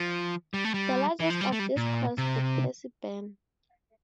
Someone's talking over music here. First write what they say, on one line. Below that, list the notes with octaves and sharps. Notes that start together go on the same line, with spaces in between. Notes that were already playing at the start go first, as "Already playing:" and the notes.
The largest of these crossed the Percy Burn.
Already playing: F3
G3
A3
G3
E3
F3
G3
A3
G3
A#2
C3